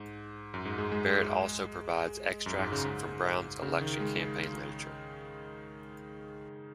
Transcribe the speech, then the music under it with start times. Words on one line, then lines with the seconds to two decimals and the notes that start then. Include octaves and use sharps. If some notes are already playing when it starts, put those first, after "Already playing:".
Barrett also provides extracts from Brown's election campaign literature.
Already playing: G#2
0.54 F#2
0.65 G#2
0.78 G#3
0.92 G#3
2.46 F#2
2.58 G#2
2.72 C#3
2.85 G#2
3.62 C#3
3.81 D#3
4.00 G#3